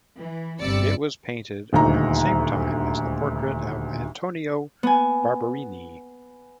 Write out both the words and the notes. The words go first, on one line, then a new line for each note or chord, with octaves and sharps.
It was painted around the same time as the portrait of Antonio Barberini.
E3
G1 C3 G3 D5 E6 C#7
D#1 D2 D#4 A#5
B3 G#5